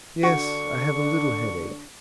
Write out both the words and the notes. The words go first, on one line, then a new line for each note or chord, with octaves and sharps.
'Yes; I have a little headache.'
D3 D4 F#4 C#6